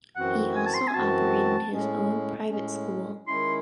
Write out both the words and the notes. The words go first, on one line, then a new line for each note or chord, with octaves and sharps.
He also operated his own private school.
F#2 E3 C4 F#4 F#5
G#5
A5
C6
G#5
F#2 E3 C4 F#4 A5
A2 G#3 C#4
A2 G#3 C#4
D#3 G#3 C#4 E4 C6